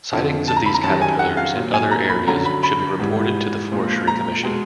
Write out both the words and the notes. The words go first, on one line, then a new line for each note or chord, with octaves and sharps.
Sightings of these caterpillars in other areas should be reported to the Forestry Commission.
F2 D3 F3
A5
A#5
B5
A#5
F#2 D#3 G3 A5
G#5
F#5
F5
A#2 F#3
G#5
A#5
B5
F#2 D3 F#3 A#5
B5
B5
G#2 E3 G3
A#2 F3 G#3
A#5
B2 G#3